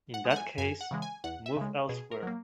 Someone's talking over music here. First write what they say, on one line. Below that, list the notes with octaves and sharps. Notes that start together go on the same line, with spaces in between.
In that case, move elsewhere.
F#5
G#3
F#5
G#5
F#2 G#5
F#5
C#3 E3 G#3
G#5
E2 F#5
E5
C#3 G#3
B2 G#4
A#4
F#3 A#3